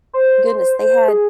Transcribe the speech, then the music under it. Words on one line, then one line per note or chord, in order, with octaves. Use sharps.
goodness, they had
C5
G#4